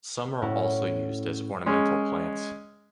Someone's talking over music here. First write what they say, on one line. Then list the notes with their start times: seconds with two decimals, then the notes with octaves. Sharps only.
Some are also used as ornamental plants.
0.42 A2 C#4 E4 F#4
1.66 G#3 C#4